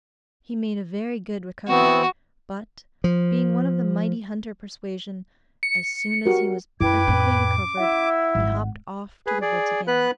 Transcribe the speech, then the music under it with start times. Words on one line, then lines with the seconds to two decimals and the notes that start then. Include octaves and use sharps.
He made a very good recovery; but, being one of the mighty-hunter persuasion, as soon as he was perfectly recovered, he hopped off to the woods again.
1.68 E3 B3 C4 F#4
3.04 F3
5.63 C#7
6.26 F#4 G4 A#4
6.81 F#2 E4 B4 G5 D6 G#6
7.08 F2 A2 C#4
7.77 E4 E5 F#5
8.35 G#1
9.27 G#4 B4
9.42 G#4 D5
9.87 B3 B4 F#6